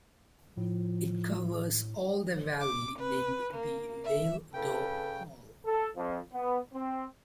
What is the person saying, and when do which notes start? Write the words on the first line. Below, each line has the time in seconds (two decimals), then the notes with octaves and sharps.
It covers all the valley named the Vale do Paul.
0.57 A2 F3
2.61 D6
3.00 B4
3.54 A#3
4.05 E5
4.54 C#3 A4 B4 G5
5.65 A4
5.95 F2
6.33 B3
6.74 C4